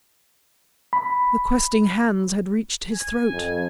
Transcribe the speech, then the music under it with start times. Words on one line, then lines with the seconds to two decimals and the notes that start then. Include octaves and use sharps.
The questing hands had reached his throat!
0.93 B5
2.93 G#5
3.33 F2